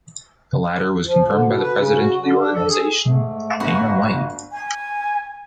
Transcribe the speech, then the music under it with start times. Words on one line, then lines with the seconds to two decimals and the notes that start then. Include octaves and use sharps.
The latter was confirmed by the president of the organization, Dana White.
1.06 F3
1.28 D3
1.42 B2
1.61 B4
1.76 C#3
1.97 F#4
2.20 D3
2.40 D4
2.54 A4
2.69 G#4
3.04 G#2 A3
3.60 G1 F#4
4.52 G#5